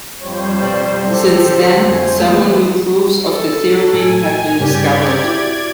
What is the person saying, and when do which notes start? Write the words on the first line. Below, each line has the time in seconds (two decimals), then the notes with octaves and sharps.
Since then, several new proofs of the theorem have been discovered.
0.22 F2 G3 C5 C#5
0.61 B2 D5
1.03 F#3 E4 G4 A4 C5
1.47 D3
1.79 F2 A3 G#5
2.16 E3 F#3 G#3 A3 B3
3.29 A4
3.93 A2 G#5
4.61 G2 C#3 C#4 G4 D5 G#6
5.24 E4 F#4 D6